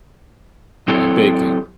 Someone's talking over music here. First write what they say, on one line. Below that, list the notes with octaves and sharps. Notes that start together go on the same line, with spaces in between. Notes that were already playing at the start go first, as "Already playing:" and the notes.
uh, baking,
F#3 C4 E4 G4 A4 C#5